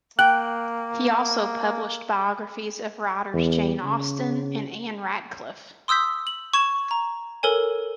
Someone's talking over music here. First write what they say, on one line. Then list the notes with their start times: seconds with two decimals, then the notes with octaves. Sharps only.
He also published biographies of writers Jane Austen and Ann Radcliffe.
0.19 A#3 G5 F#6
3.33 E2
3.84 C#3
5.88 C6 D#6 E6 G6 B6
6.27 F#7
6.54 C#6 G#6 E7
6.91 A#5
7.43 A4 A#4 C#5 G#5